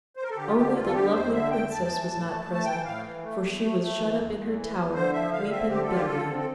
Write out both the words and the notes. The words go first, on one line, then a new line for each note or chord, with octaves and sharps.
Only the lovely Princess was not present, for she was shut up in her tower weeping bitterly.
C5
A#4
A4
D3 G4
F4
D3 G4
E2 F4
A4
D3 G4
E2 C5
D3 E5
E2 G5
E2 A5
E3
A2
A3
A3
A5
E3 G5
A2 F5
E3
A3
E2
A3
A3
E3
E2
E2
E3
E2
D3 C5
F3 E5
D3 F5
C4 E5
D3 G4
A4
F4
G4
D3 A4
C4
A4